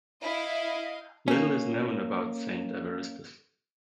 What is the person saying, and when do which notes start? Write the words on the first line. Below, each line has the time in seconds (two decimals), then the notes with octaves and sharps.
Little is known about Saint Evaristus.
0.23 E4 D#5 F5
1.28 A#3 C#4